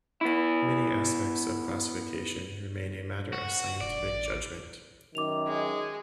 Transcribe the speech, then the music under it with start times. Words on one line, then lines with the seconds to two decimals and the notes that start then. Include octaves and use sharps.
Many aspects of classification remain a matter of scientific judgment.
0.21 B3 E4
3.33 F#4
3.81 E1 D5
3.99 A1
5.15 F#2 D#3 D6 F7
5.47 G#3